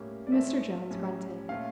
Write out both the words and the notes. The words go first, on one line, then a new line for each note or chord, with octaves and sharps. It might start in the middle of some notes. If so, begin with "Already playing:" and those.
Mr Jones grunted.
Already playing: A2 G3 A#3 C#4
D5
A2 F3 A3 C#4 E5
A2 G3 C#4
A#2 A3 C#4 F5